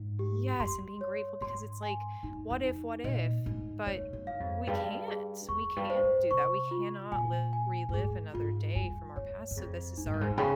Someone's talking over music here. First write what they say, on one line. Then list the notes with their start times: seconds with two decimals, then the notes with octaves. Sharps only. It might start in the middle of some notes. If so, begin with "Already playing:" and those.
Yes, and being grateful because it's like, "What if? What if?" But we can't, we can't do that, we cannot live relive another day from our past, so this is our
Already playing: G#2
0.19 G4
0.60 G2 C6
1.01 C#5
1.41 G#2 C6
1.83 G#5
2.23 G2 D#4
2.50 F2
2.64 D#4
3.04 A#2 D#5
3.46 G#2 D#4
3.86 G2 C#5
4.13 G2
4.27 F5
4.40 F2
4.67 G2 G#4
5.08 G#4
5.49 F2 C#6
5.76 G2
5.90 C5
6.03 G#2
6.31 C3 C#6
6.71 F4
7.12 A#2 G#5
7.53 G#5
7.89 G2
7.94 G#2 G#4
8.34 G#2 F4
8.75 G2 G#5
9.16 G2 C#5
9.51 G2
9.56 F2 G#4
9.98 G2 D#4
10.06 G#2
10.13 G2
10.21 G#2
10.30 G2
10.38 C#3 G5